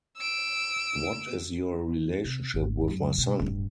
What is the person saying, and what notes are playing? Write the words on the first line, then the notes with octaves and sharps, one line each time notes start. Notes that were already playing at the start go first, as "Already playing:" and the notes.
What is your relationship with my son?
E6 D7
C3
G#1
F#2
B2
D1 G2